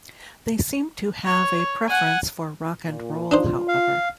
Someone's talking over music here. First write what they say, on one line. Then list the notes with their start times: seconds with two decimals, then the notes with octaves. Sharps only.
They seem to have a preference for rock and roll, however.
1.25 C#5
1.89 F#5 G#5
2.87 A#2
3.31 D4 D#4 F4 C5
3.68 F5